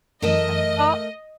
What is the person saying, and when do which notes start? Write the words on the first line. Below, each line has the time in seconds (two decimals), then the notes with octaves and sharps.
Uh, oh uh,
0.22 F#2 E3 A3 A#4 D#5 E5